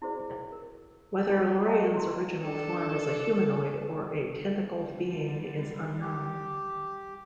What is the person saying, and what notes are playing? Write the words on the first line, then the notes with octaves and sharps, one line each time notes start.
Whether Lorien's original form is a humanoid or a tentacled being is unknown.
E4 F#4 G#4 C5 D5
A#4
E4 B5
F4 F#4
D5 D#5 F5 G5 A5 A#5
E4 F4 G4 A4 C6
D4 A4
D3 G3
G4